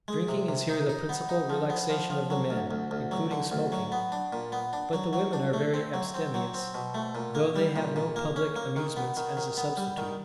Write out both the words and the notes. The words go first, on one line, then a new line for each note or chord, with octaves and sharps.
Drinking is here the principal relaxation of the men, including smoking, but the women are very abstemious, though they have no public amusements as a substitute.
G#3
C3
C3
D#4
D#4
B3
D#4
F3
B3
F3
F3
F#3
D2
D2
D2
F#3
D3
D2
F#3
B3
D4
A#2
B3
D4
F#3
F#3
D4
A3
C4
F#3
C4
F#3
C4
B2
A3
A#2
A#3
G3
A#2
A#2
A#3
C#4
A#3
D#3
B3
D#3
D#3
B3
G3
D#3